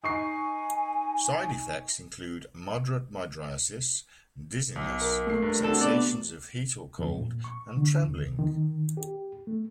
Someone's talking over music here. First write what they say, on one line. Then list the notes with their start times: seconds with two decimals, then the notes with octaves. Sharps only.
Side effects include moderate mydriasis, dizziness, sensations of heat or cold, and trembling.
0.04 D#4 G#5 C#6 C7
4.76 B1
5.01 A#4
5.27 A3 A#3 C7
5.42 G2
5.64 C3 D4 F#4 A4
5.81 B3 D5
6.99 F2
7.19 A#2
7.44 C#6
7.77 D3
8.03 D#2
8.39 D#3
8.97 G4
9.47 A3